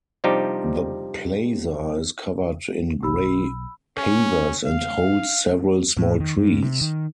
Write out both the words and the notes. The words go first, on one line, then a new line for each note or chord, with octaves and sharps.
The plaza is covered in gray pavers and holds several small trees.
C3 F3 G3 D4 D#4 G4
B1 B5 E6
C#4
F5
A2
D#3
G2
C3
D#3